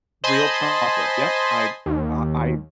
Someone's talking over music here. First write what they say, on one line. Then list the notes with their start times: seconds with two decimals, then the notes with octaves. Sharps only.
real chocolate. Yep. I I I
0.24 C5 D#5 G#5 A5 B5 C6
1.86 D#2